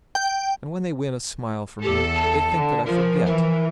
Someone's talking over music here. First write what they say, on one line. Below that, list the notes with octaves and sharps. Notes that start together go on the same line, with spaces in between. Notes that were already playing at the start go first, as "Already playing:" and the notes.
And when they win a smile from me, they think that I forget.
G5
E2 G4 A4
A5
D3
F3 A#4
E3 A#4